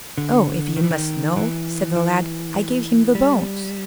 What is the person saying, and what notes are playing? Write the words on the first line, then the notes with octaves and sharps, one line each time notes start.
"Oh, if you must know," said the lad, "I gave him the bones."
D3
D#3
E3
D#3
E3
E3
G3